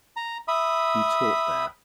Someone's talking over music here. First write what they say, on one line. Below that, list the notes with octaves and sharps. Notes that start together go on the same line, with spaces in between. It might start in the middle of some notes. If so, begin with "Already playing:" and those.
He taught there.
A#5
E5 B5 D#6